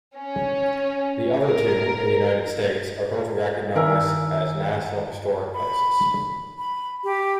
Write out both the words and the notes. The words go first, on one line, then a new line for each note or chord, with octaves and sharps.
The other two, in the United States, are both recognized as national historic places.
C#4
A#4
D#3 E4 A#4 E5 G#5 E6
B5
B5
G4